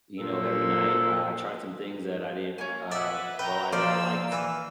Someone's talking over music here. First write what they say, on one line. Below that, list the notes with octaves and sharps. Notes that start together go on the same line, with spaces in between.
you know, every night. I tried some things that I didn't, uh, realize that I liked,
A#2 A4 C5
A#3 C#5 G#5
B4 D5 E5 F#5 E6 F#6
B4 G5 A#5 G6
F3 A#3 D5 F5 E6
E3